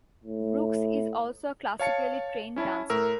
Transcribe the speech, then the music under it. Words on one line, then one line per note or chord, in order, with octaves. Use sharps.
Brooks is also a classically trained dancer.
A2
C#5 F5 A5 C#7
C#4 E4 C#5 A5
A2 A#4 E6